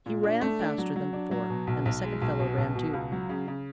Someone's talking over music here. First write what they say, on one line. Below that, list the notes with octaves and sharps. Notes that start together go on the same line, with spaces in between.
He ran faster than before, and the second fellow ran too.
A#2
D4
A3
D4
F#3
F#3
D4
F#3
B2
B1
B1
G#3
B1
B2
B1
B2
C#2
F#3
C#3
C#3